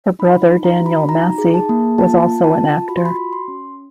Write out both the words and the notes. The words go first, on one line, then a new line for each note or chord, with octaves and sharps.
Her brother Daniel Massey was also an actor.
D#4 B5
D#4
A#5
F#4
B5
D#4 A#5
G#4
A5
A#3
F4 A5
F4
A5
F4
F#4 B5
C6
B5
F#4
C6
C#4